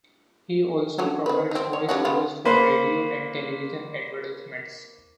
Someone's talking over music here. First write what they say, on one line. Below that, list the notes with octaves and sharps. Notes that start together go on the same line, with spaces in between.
He also provides voice-overs for radio and television advertisements.
D3 C#4 F#4
C4 B4
C4 D#4
C#5
G3 C#4 F#4
C#3 B3 F4
A#3 B4 C5